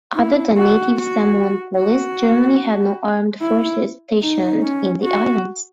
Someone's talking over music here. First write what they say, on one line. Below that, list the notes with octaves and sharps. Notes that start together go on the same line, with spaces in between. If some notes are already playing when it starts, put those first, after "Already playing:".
Other than native Samoan police, Germany had no armed forces stationed in the islands.
E4
F#4
F#4
F#4
E4
D#4
C#4
F#4